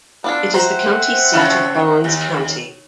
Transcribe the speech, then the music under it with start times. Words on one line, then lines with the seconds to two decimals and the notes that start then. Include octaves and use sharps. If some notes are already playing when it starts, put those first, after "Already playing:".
It is the county seat of Barnes County.
0.24 B3 D4 F4 A4
0.54 C4 C5 E5 F#5 A#5
1.33 C#3 A3 E4 F5 B5
2.04 D#2